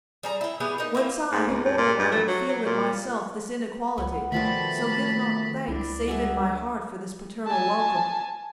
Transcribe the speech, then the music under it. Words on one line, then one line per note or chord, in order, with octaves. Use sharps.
Whence I, who mortal am, feel in myself This inequality; so give not thanks, Save in my heart, for this paternal welcome.
G3 G#4 A#5
E4 G5
B3 E4 G4 G#4
D#4 A#4
A#3 E4 F4
G#2
C#2
G2
A#2
G2
A3
F#3
F#3
A#2
C#2 B3
B2 D#3 F3 G3 A3 A5 B5
C#2 D4 E4
G3 F#4 G#4 E5
G#5 A5